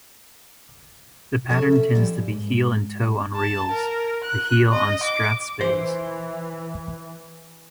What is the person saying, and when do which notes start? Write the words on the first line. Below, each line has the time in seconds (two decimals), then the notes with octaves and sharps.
The pattern tends to be heel-and-toe on reels, the heel on strathspeys.
1.49 F#2 C#4 F#4 A4 C#5
1.72 C#4 E5
1.95 F3 G3 C4 C#4 D#4 E4
2.31 G#2
3.36 A5
3.71 A#4
4.24 F#6
4.71 D#5
5.03 D6
5.61 E3 C5